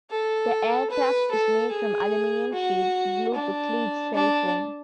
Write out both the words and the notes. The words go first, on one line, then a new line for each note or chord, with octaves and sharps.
The aircraft is made from aluminum sheet glued to Klegecell foam.
A4
B4
A4
G#4
F#4
D4
D4